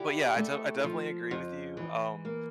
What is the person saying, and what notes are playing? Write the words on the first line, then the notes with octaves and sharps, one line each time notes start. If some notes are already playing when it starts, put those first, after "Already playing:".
But yeah, I de I definitely agree with you, um,
Already playing: D3 E4 G4
A3
F3
F2
E3
A#3